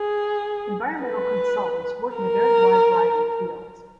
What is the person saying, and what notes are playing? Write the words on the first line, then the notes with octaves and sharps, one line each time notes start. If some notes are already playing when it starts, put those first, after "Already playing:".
Environmental consultants work in a very wide variety of fields.
Already playing: G#4
B4
A#4